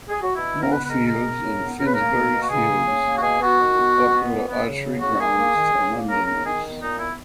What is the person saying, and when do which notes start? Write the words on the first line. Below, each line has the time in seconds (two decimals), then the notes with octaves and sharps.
Moorfields and Finsbury Fields were popular archery grounds for Londoners.
0.08 G#4
0.22 F#4
0.35 B2 E4
0.53 B3
0.63 A#4
0.71 C#3 B4
0.85 B4
0.89 G#3 A#4
1.07 B2 A#4
1.25 B3
1.43 C#3
1.60 B3
1.78 C#3 A#4
1.86 B4
1.95 A#3 A#4
2.14 A#3
2.33 B2
2.42 F#4
2.50 C#3 G#4
2.68 A#3
2.87 C#3
3.03 A#3
3.16 F#4
3.22 B2 G#4
3.40 B3 F#4
3.58 D#3
3.75 B3
3.94 B2
4.11 B3
4.29 A#2
4.48 B3
4.66 C#3
4.83 B3
5.01 C#3 F#4
5.19 A#3 G#4
5.36 A#3
5.54 D#3
5.73 C#3
5.91 A#3
6.09 C#3 A#4
6.26 B3 A#4
6.44 D#3 G#4
6.62 B3
6.80 A#2 D#4
6.98 B3 E4